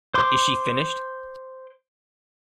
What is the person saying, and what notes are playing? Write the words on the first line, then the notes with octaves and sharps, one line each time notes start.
Is she finished?
C5 C6 D6